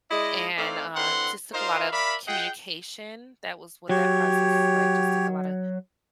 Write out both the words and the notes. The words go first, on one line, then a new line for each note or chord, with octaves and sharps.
and uh, just took a lot of communication that was what that process was like, just took a lotta,
G#3 E4 D5 D#5
A3 C4 D#4 D5 F5
D3 E3 C4 F#5 C6
D#4 F4 A#4 C5 D#5 F5
A#4 D5 E5 F5 B5
F4 G#4 D#5 F#5 G5
F#3 G4 C#5